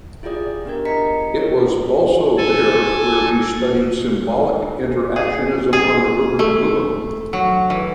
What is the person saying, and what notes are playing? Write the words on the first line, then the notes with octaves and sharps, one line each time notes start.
It was also there where he studied symbolic interactionism under Herbert Blumer.
E4 F4 G4 G#4 D5 D#6
B3 D4 G4 A#4 G#6
E4 D#5 A#5 B6 C#7
C4 C#4 G#4 A#4 C#5
A4 G#5
G#4
G#4
A3
F#3
E3